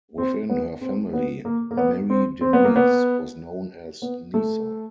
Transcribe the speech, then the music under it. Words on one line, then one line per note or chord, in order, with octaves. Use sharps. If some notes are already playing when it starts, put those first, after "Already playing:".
Within her family, Marie-Denise was known as Nisa.
C4
B3
C4
B3
A#3
A#3
B3
C4
C4
B3
A#3
B3
B3
A3